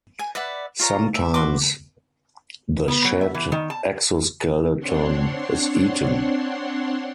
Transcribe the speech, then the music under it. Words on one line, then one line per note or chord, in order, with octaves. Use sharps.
Sometimes the shed exoskeleton is eaten.
G#5
B4 D5 E5 F#5
F4 C#5 A#5
E5
F#4 B4 C6 D6
B3
F#3
E5
E3
D#3
A5
C4 D4 C#5 F#5 C6